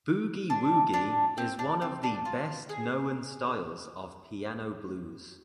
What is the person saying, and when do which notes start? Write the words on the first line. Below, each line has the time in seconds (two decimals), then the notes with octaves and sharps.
Boogie woogie is one of the best known styles of piano blues.
0.50 D4
0.94 D4
1.38 C4
1.59 D4
1.82 C4
2.03 D4
2.25 F4
2.69 G#4